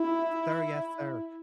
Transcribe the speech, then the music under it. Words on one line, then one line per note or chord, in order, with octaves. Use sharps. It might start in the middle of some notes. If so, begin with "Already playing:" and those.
"Sir, yes, sir.
Already playing: E4